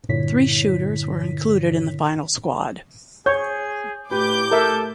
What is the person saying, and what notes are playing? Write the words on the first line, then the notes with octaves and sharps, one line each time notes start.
Three shooters were included in the final squad.
G2 A#2 D3 E4 C#5 B6
G#4 C#5 G6
A2 G4 B4 D6 G6
A4 A#4 E5